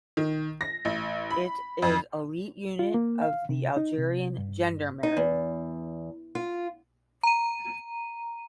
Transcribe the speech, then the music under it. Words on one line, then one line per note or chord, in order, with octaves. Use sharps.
It is elite unit of the Algerian gendarmerie.
D#3
A#6
A1
B5
F2
F4
A#3
F5
C3
D#4
C3
G2
D#4
E2
F4
A#5 D#7